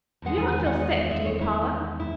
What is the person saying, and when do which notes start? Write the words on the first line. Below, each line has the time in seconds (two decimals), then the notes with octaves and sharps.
"You don't feel sick; do you, Paula?"
0.22 E2 D#3 G#3 F#5
0.38 G#5
0.52 G#5
0.66 F#5
0.81 D#5
0.96 D#5
1.11 E5
1.26 C#5
1.41 E4
2.00 E4